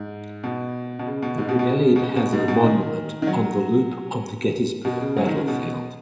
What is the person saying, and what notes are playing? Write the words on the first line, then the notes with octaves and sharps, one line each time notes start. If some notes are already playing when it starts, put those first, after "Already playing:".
The brigade has a monument on the Loop on the Gettysburg Battlefield.
Already playing: G#2
B2
B2
C#3
B2
G#2
B2
B2
C#3
B2
C#3
B2
G#2
B2
D#3
D#3
F#3
B2
C#3
F#3
D#3
C#3
B2